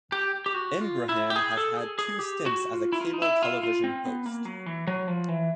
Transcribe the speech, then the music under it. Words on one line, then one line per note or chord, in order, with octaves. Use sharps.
Ingraham has had two stints as a cable television host.
G4
G4
F#4
F4
E4
G4
G#4
A4
G#4
G#4
G4
F#4
F4
E4
F4
D#4
E4
F4
F4
C4
B3
A#3
F#3
E3
F#3
F3
E3